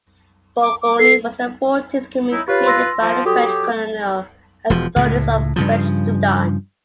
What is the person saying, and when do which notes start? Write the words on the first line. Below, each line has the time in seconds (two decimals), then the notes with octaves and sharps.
Bougouni was the fourteenth commune created by the French colonial authorities of French Sudan.
0.61 D6
0.82 D6
0.99 A4 C7
2.31 C#4 D#4 E4
2.48 F4 G4 B4 C#5
2.66 C6 E6 A#6
3.01 F3
3.25 F#3 F#4 G4 A4 D#6
4.70 E1 F3
4.96 C#2 A2
5.56 G2 C#3 F3